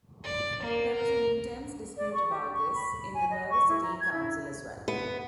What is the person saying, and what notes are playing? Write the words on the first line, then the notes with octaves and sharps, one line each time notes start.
There was an intense dispute about this in the Burger city council as well.
D5
A#3
A#4
D5
C#6
G4
C#6
B5
G#5
D#5
C#6
E4
A#5
G#6
E4
B3